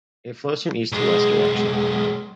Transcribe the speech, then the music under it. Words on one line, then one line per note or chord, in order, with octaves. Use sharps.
It flows from east to west direction.
B1 G#3